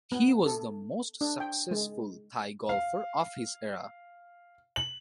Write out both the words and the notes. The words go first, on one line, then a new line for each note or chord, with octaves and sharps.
He was the most successful Thai golfer of his era.
B3
A4
D4
G5
G#3
F5
F#7